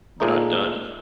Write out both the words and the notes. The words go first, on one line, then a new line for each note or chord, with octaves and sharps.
But I'm done.
A#2 G#3 A3 D#4